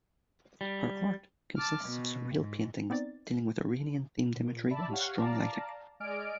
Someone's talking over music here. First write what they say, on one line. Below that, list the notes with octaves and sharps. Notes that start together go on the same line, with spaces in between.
Her art consists of surreal paintings dealing with Iranian themed imagery and strong lighting.
G3
A5 D6 F6
B2
G#2
B3 C4 D#4 D5 A6
A#2
D5 E5 A5 B5
G4 C#5 F5 F#5
D5 F5 A5 A#5
G#3 D5 D#5 G#5 F6 D7